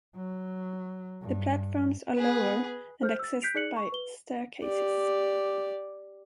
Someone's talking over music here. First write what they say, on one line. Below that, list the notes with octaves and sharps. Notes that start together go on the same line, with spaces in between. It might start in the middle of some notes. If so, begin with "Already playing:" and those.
The platforms are lower and accessed by staircases.
F#3
G2
B3 G#4 B4
C5 F6 G6
E6 A6
F#6 G6 B6 C7 D7 F7
D#4 G#4 D5 F#6 C#7 F#7
C#6
B4 G7
G4 D5